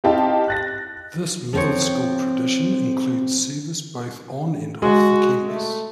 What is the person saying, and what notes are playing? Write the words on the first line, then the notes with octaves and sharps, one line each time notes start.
This Middle School tradition includes service both on and off the campus.
C4 D#4 E4 G4 F5 A5
F#6 A6 A#6
F3 C4 C#5
G#3 F#4
A3